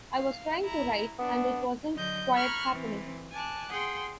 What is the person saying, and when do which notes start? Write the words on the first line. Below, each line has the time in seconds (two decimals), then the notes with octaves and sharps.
I was trying to write and it wasn't quite happening.
0.12 F5
0.61 E4 A#5
1.19 B3 D4
1.94 D3 F#3 D#5 G6
2.35 A#5 B5 C#6 F6 F#6 G#6
2.71 E3 C4
3.32 G#5 A5 D6 F#6
3.69 G#4 F#5 G5 C6